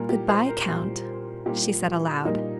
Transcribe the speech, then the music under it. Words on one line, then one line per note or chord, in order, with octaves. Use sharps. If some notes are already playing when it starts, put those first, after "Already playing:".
"Good-bye, Count," she said aloud.
Already playing: A#2 G3 A#3 A#4
G4
C5
A#4
A#2 G3 A#3
A#2 G3 A#3 G4
A#2 G3 A#3 D#4